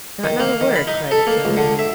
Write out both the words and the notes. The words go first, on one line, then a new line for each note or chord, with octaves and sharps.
"Not another word!" cried the king.
D#3
A#3
D#3
B5
D#4
A4
A#3
C#2
D3
E5